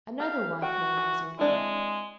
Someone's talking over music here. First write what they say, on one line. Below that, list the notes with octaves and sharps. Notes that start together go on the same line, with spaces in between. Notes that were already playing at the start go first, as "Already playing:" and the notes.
Another white man was in camp.
G4 F5
F#4 G5
E3
G#3 C4 D4 E4